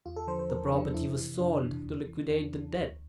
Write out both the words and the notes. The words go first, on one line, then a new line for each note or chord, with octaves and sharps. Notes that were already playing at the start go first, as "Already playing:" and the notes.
The property was sold to liquidate the debt.
E2 F4
A4
D3 F3 C5
C5
E2 A#4
D3 F3 D4
F2 E4
C3 E3
F2 D4
C3 E3
E2
E3
E2 D4
E3
D2